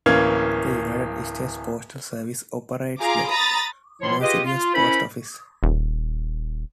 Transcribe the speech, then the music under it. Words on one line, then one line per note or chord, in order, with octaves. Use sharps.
The United States Postal Service operates the Mercedes Post Office.
D1 E3 A#3 C#4 F5 G#6
F4 G#4 A#5 D6
A#5 B5 D#6 A6
C#2 F3 E4 C#5 C6
F4 G4 G#4 B4 D#5
F4
C#4 E4 A#4 C5 B5
D#1